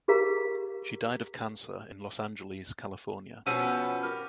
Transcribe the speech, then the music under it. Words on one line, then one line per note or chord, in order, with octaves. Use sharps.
She died of cancer in Los Angeles, California.
G4 G#4 A#4 F5 A#5
B2 F3 B3 C#4 E6 F6 D#7
G4 A#4 F6